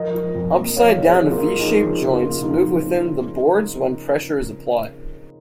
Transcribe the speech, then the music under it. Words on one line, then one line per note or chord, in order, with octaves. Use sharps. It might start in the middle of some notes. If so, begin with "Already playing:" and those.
Upside-down V-shaped joints move within the boards when pressure is applied.
Already playing: F3 A#4 D#5
F3
F2
A#3
F3 C#5 F5
F2
G#4 C#5
F3
F4 A#4
A#3
F3 D#4 G#4
F3
C#3
F4
A#3
F2 D#4
F3
F3